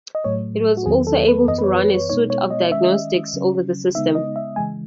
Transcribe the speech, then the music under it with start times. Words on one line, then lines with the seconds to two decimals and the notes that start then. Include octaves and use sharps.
It was also able to run a suite of diagnostics over the system.
0.15 D#5
0.24 A2 F#3 A3 C#5
0.77 F#4
0.86 E2 D#3 F#3 B3 G#4
1.07 A4
1.28 B4
1.48 F#2 E3 B3 D#5
1.58 B4
1.64 C#5
1.79 B4
1.94 C#5
2.10 B2 G#3 B3 D#4 C#5
2.30 C#5
2.50 D#5
2.71 D#3 G#3 C#4 E5
2.82 D#5
2.93 E5
3.34 C#3 F#3 C#4
3.95 C#3 G#3 B3 D#4 E5
4.15 D#5
4.36 E5
4.56 C#3 E3 G#3 G#5